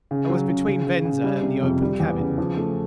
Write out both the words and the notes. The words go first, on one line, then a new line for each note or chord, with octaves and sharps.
I was between Venza and the open cabin.
C#3
F#3
C#3
C#3
C#3
C#3
G3
C3
F2
G3
E2
C#3
F3
A3